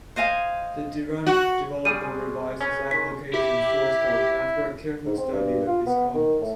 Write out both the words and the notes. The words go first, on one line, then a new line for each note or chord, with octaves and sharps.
The deranged developer revised his application source code after a careful study of its contents.
C5 D#5 F5 G#5
F#4
G3 G#4 F5 B5 C#6 D#7
G#3
C#4 G#4 B4
D#3 G#3 B6
E4 G4
G#2
C4
G2
F4
B3
D#3
A2